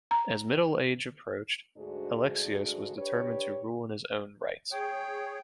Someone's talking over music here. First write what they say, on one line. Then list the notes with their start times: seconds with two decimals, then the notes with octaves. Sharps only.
As middle age approached, Alexios was determined to rule in his own right.
0.11 A#5
1.78 D2 G#2 D4 F#4 G#4
2.98 D4 G4 B4 C#5
4.72 G#4 C#5 G5